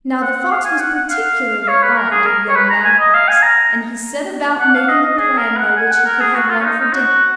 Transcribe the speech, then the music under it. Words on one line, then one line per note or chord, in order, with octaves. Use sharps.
Now the fox was particularly fond of young magpies, and he set about making a plan by which he could have one for dinner.
F#5
F5
G#5
F#5
F#5
F5
C#5
B4
A#4
G#4
A#4
C#5
B4
A#5
G#5
D#5
F5
G#5
A#5
F#5
F5
D#5
D#5
G#4
A#4
F#5
G#5
F#5
A#4
G#4
F#4
F4
C#4
D#4
D#4
F#4